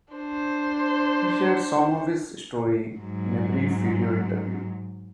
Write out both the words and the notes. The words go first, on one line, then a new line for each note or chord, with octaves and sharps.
He shares some of his story in a brief video interview.
D4 C5
G#2 F#3